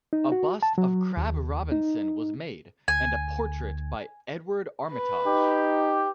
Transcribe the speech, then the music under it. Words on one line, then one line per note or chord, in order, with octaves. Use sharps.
A bust of Crabb Robinson was made, and a portrait by Edward Armitage.
D#4
F#4
A5
F#3
D#2
D#4
D2 G#5
B4
D#4 G4